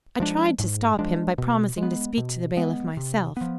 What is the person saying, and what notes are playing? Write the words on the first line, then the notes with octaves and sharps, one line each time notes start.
I tried to stop him by promising to speak to the bailiff myself.
F3 G#3 D4
G#2
F3 G#3 D4
B2
G#3 B3
B2
G#3 B3
C3
F3 B3